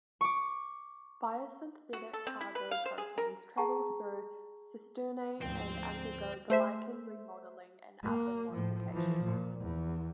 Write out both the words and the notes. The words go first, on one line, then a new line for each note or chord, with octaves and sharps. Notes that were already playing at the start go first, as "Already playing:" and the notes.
Biosynthetic cargo proteins travel through cisternae and undergo glycan remodeling and other modifications.
C#6 D6
F#4
A4
C4
E4
B4
F5
C5
G#4
A#4
G#4 G5 A5 A#5 C#6
D2 G#2 F3 C5 G5
A3 C5 E5
A#3
A2 F3
E3 F3
A#2
E2